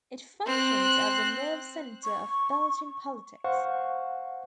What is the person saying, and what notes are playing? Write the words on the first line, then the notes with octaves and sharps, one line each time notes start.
It functions as the nerve center of Belgian politics.
C4 F#6
C#6
C5 F5 F#5 C#6